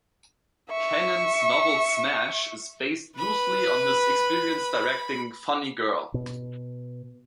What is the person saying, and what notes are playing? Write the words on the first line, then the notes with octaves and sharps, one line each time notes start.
Kanin's novel "Smash" is based loosely on his experience directing "Funny Girl".
E5 C#6
B4 B5
B2